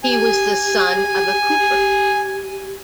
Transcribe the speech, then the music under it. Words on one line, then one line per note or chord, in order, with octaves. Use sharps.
He was the son of a cooper.
G4 G#5